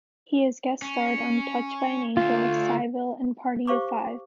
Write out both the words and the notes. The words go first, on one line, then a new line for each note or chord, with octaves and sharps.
He has guest starred on "Touched by an Angel", "Cybill" and "Party of Five".
C#4
D2 D3 F4
G4 C5 F5 C#6 D6